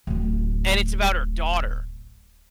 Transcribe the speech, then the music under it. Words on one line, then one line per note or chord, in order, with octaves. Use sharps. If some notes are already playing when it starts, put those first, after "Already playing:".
and it's about her daughter.
D1 A1